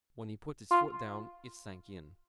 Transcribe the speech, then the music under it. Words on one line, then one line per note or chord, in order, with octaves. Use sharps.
When he put his foot down it sank in.
F4